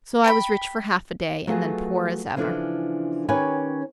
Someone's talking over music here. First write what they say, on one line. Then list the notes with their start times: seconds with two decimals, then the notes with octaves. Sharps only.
"So I was rich for half a day, and then poor as ever."
0.24 G5 A5 B5
1.47 F#3 A3 B3 F4 F#4 G#4
2.36 C#3 E3 F3 D4 A4
3.29 D#3 C#4 G4 B4 C#5 G#5